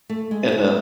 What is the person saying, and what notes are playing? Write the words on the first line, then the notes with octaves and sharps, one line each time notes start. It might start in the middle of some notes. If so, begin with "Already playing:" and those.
And, um,
A3
G#3
A3
G#3